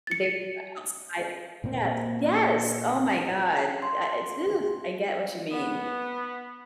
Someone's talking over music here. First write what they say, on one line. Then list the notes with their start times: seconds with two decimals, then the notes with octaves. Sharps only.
They were stuck outside of it Yes, yes! Oh my god. I I ooh, I get what you mean.
0.07 A6 C#7
1.64 A#2 A#3 C4
3.82 C6
5.51 B3